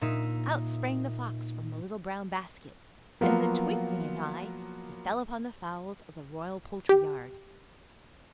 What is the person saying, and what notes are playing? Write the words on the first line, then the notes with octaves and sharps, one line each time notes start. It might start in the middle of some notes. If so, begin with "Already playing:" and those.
Out sprang the fox from the little brown basket and in the twinkling of an eye he fell upon the fowls of the royal poultry yard.
A#2 D#4 E5
F3 F#3 A#3 B3 F4 F#4
G4